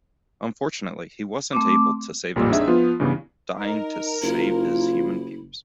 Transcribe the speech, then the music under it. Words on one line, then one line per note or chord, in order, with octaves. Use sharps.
Unfortunately, he wasn't able to save himself, dying to save his human peers.
A3 C4 D6
A1 F2 A#2 G3
C4 D4 D#4 G#4 E5
F3 B3 F4
G2 C#3 E3 B3
D#4 A#4
F#1 E4 F4